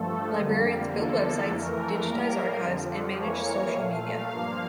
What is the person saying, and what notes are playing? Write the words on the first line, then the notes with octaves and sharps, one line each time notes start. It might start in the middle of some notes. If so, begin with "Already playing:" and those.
Librarians build websites, digitize archives, and manage social media.
Already playing: G2 F3 A3 A4
F2 D3 G3 A#3
E2 D3 F3 A#3 A4
F2 E3 A3 A#4
A2 G3 A#3
F2 D3 F3
F2 E3 A#3 C#5
A#2 A3 F5
G2 F3 A#3 F5